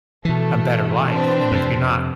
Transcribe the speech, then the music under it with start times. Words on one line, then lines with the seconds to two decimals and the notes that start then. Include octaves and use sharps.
a better life, and if you're not
0.25 B2 E3 A3
1.09 C4 D4 B4
1.52 F2 C3